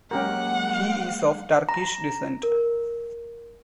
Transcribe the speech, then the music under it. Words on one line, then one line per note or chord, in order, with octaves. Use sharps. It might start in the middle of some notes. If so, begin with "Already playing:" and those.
He is of Turkish descent.
F#3 G#3 A#3 C#4 G4 A#4 F#5
A#5
A#4